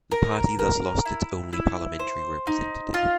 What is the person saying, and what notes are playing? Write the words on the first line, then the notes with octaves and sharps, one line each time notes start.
The party thus lost its only parliamentary representative.
A#4
A#4
E4
E4
C5
D#4
F4